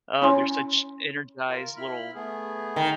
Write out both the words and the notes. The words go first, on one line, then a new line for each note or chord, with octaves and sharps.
Oh, they're such energized little
C#4 E4 C#5 G#5 C6
F4 A#4
E4 B5 F6
A3 B3 G#4
D#3